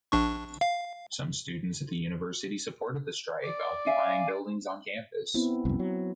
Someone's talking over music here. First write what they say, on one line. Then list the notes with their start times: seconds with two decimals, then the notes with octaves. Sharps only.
Some students at the university supported the strike, occupying buildings on campus.
0.12 A#1 D4 C#6
0.61 F5
3.44 D5
3.87 E5 F5 G#5
5.34 B3 C4 E4
5.65 C2 F#2
5.79 F#3